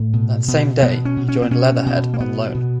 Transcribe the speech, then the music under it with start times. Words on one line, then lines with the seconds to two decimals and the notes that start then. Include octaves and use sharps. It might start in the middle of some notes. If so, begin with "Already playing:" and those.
That same day he joined Leatherhead on loan.
Already playing: A2 A3
0.13 B2
0.48 B2
0.82 B2 B3
1.05 C#4
1.17 B2
1.28 C#4
1.42 C4
1.51 B2 C#4
1.86 B2
2.14 A#3
2.20 B2 B3
2.54 B2